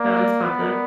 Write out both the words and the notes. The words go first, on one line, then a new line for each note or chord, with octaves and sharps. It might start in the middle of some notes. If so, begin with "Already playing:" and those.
that one's popular.
Already playing: A#3 D5
D5
B3 B4
A#4